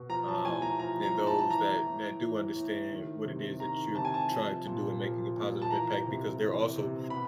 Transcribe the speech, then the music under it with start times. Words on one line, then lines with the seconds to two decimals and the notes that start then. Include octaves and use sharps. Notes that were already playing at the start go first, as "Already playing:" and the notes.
Um, and those that that do understand what it is that you're trying to do in making a positive impact, because they're also
Already playing: B2
0.09 F3 A#5
0.28 A5
0.45 A2 G#5
0.62 A#5
0.79 F3 A#5
1.03 A#5
1.14 A2
1.27 A5
1.38 A5
1.50 E3 A#5
1.86 A2
2.21 E3
2.56 A2
2.91 D#3
3.25 C3
3.60 D#3 A#5
3.95 C3 A5
4.05 G#5
4.14 A5
4.31 F3
4.66 A#2
5.01 F3
5.36 A#2
5.62 A5
5.70 E3 A#5
6.06 C3
6.40 E3
6.76 C3
7.10 B2 B5